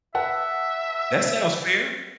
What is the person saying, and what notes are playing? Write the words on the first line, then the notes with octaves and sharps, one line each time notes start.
That sounds fair.
B4 E5 F#5 A5